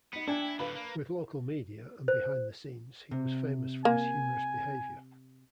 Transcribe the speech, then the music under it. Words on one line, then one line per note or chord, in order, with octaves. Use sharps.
With local media and behind the scenes he was famous for his humorous behavior.
B3 D#4 C#7
D4 E4 G5 G#5 G#6
A2 D3 B4 F5 B5
A#3
C5
C3
A#3 G#5